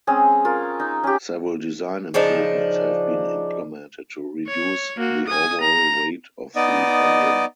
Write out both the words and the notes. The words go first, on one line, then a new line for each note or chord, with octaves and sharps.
Several design improvements have been implemented to reduce the overall weight of the engine.
G#3 C4 C#4 G#4
F4 A#4
D#4
C#4 G4
C#3 F3 D4 D#4
C#5
A#3 F#4
G#5 D#6
A#5
B3 D#4 D5 D#5